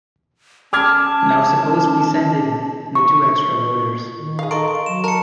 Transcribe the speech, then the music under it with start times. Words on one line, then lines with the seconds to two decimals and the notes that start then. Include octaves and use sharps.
Now suppose we send in the two extra voters.
0.73 C#4 A5 D6 F6 G#6
2.95 C#6
4.18 D#3
4.39 G#4 F5
4.51 A4 A#4 D#5 C6 C#6 D7
4.67 F5
4.86 F#3 E7
5.04 A#4 A5 C#7